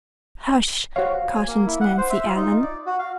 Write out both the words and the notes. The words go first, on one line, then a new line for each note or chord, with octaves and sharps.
"Hush!" cautioned Nancy Ellen.
F#4 C5 C#5 F5
G#5
A#3
E4
F#5
C5
E5
F4
D#4
D5
F#4
F5